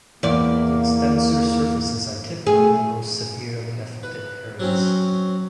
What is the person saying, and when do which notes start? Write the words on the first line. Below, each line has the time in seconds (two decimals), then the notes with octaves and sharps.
The extensor surfaces are typically the most severely affected areas.
0.23 E2 A#3 D5
2.47 A3 G#4
4.03 B4
4.60 F#3 C4 C#4